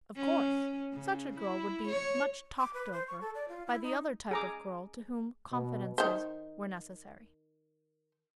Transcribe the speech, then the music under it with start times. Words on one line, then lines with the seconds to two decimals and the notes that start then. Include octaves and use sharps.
Of course such a girl would be much talked over by the other type of girl to whom confidences were necessary.
0.16 C#4
0.93 C#3
1.39 E4
1.88 C#5
2.58 D6
2.74 B4
2.92 C5
3.08 C#6
3.21 A4
3.35 D5
3.48 F4
3.66 E4
3.83 D#4
4.31 G#4 A#5 D6
5.52 B2
5.98 D#3 C5